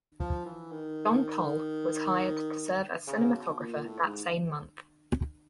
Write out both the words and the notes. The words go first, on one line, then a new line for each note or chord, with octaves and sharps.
John Toll was hired to serve as cinematographer that same month.
F3
E3
D#3
C#3
B2
A#2
A2
G#2